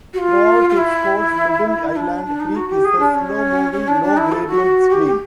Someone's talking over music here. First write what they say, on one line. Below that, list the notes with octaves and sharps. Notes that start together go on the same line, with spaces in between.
Throughout its course Middle Island Creek is a slow-moving, low-gradient stream.
F#4
F4
F4
E4
D4
D4
D#4
F#4
G4
G#4
D4
C#4
C#4
D4
D4
E4
A4
F#4
G4
G4